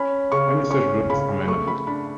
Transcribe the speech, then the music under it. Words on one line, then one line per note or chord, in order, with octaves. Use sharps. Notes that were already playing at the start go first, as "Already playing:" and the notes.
Any such group is amenable.
Already playing: C#4 B5
C#3 C#6
C#4 C#6
C#3 B5
A3 C#6
B5
D4 B5